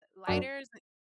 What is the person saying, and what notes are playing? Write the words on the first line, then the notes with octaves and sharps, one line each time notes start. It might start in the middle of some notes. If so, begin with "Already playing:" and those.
lighters and
F#2 F#3 D4